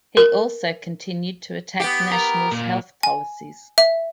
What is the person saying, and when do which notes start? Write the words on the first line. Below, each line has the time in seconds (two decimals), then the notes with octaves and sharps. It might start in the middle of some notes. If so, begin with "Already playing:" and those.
He also continued to attack National's health policies.
0.17 A#4
1.80 B3 G4
2.12 A#4
2.51 A#2
3.03 G#5
3.78 E5